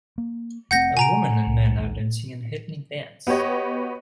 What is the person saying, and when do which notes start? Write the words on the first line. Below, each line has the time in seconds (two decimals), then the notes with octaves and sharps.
A woman and man are dancing an ethnic dance.
0.18 A#3
0.71 F1 A3 C4 F#5 G6 A#6
0.97 C3 G#5 A#5 D7
1.47 C2
1.77 A#1 D#2 G#2
3.27 B3 F#4 G4 C#5 D#5